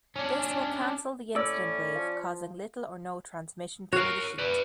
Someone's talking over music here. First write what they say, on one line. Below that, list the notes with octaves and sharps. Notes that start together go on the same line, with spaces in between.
This will cancel the incident wave causing little or no transmission through the sheet.
C#4 D4
A2 C#4 D5 E6
F3
F#4 A#4 C#5 F5
B4 D5